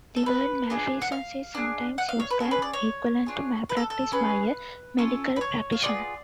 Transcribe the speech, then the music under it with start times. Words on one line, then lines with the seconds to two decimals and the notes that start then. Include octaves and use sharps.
The word malfeasance is sometimes used as equivalent to malpractice by a medical practitioner.
0.16 A4
0.26 B4
0.70 D4 F4 G#4
1.02 F#5
1.12 F5
1.55 D4 G#4
1.98 F#5
2.09 F5
2.20 C#5
2.30 B4
2.40 C#4 G#4 A4
2.51 B4
2.62 D5
2.73 C#5
3.26 D4 F4 G#4
3.69 B4
3.77 A4
3.90 A4
4.12 C#4 G#4 B4
4.98 C#4 F4 A4
5.36 B4
5.41 C#5
5.72 F5
5.83 B3 F4 G#4 D5